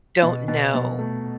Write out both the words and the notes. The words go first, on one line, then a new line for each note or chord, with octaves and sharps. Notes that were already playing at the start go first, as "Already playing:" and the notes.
don't know
B2
B2
B2
A3